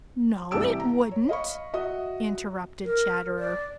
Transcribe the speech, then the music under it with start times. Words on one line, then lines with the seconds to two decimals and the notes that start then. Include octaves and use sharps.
"No, it wouldn't!" interrupted Chatterer.
0.51 C2 E3 G4 A5 E6 D7
0.80 A#5
1.11 C#5
1.29 D#5 F5 B5 C#6
1.73 F#4 D#5 E5 D#6
2.85 A#4
3.39 D5